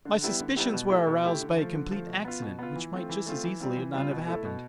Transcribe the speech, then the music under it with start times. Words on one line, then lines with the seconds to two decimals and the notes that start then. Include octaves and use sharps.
My suspicions were aroused by a complete accident, which might just as easily not have happened.
0.05 D3
0.23 G3 B3 E4 G4
0.39 D3
0.56 G3 B3 E4 G4
0.74 B2
0.90 A3 E4 G4
1.07 B2
1.24 A3 E4 G4
1.41 D3
1.57 F3 A3
1.74 D3
1.91 F3 A3
2.08 B2
2.25 B3 F4
2.42 B2
2.59 B3 F4
2.76 E3
2.92 A3 C4 F4
3.09 E3
3.26 A3 C4 F4
3.43 E3
3.60 G3 C4 F4
3.77 E3
3.94 G3 C4 F4
4.11 B2
4.27 A3 E4 A4
4.45 B2